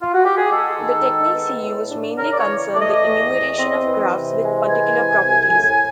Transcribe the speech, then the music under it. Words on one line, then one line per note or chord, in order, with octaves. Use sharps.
The techniques he used mainly concern the enumeration of graphs with particular properties.
F4
F#4
G4
G#4
G#3 A4
D#3
G#3
B3
A2
D4
C#3 A#4
D5
C#5
E3
A3 D5
D#5
E2
E2
C4
E3
C3
G#3
E3 G#5
C3
C2
A2